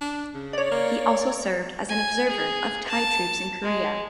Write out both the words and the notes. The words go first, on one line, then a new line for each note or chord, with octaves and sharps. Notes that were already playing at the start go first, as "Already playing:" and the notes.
He also served as an observer of Thai troops in Korea.
D4
C#3
C#5 D5
A#3
G#5
G#4
A5
G#3